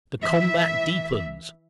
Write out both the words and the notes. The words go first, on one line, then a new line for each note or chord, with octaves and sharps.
The combat deepens.
E3 E5